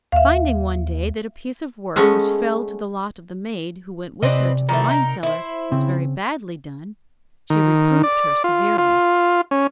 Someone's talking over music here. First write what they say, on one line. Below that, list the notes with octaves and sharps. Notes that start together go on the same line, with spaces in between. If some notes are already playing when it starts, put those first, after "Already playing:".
Finding one day that a piece of work which fell to the lot of the maid who went with her to the wine-cellar was very badly done, she reproved her severely.
D#2 E5 F5
G#3 A3 B3 C#4
C3 C4 B4 D5 D#5
D#3 E3 A3
D#4 A#4
E4 C5
C#3 C4
D#3
D5
F4
F4
C#4